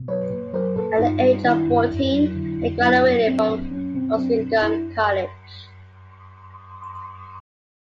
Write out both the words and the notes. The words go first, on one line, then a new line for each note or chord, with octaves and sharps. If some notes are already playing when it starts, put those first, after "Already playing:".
At the age of fourteen, he graduated from Muskingum College.
Already playing: B2
F#3 B4 C#5
A#2
F#3 A#4 C5
A#2 A4 B4
G2 D#4 F4
G3
D#3 D4 E4
G2
F2
F#3
D3
F2
F#3 D4 E4
A#2
F#3 C4 D4
A#2
F#3 C#4
B2 C4
F#3 C4 D4
B2
F#2 D4 E4